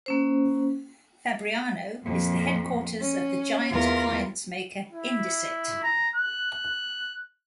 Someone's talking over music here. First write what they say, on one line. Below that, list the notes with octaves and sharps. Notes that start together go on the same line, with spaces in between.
Fabriano is the headquarters of the giant appliance maker Indesit.
A#3 C#4 C5
F2 A#2
C#4
E2 F4 A#4
E4
A#5
F#6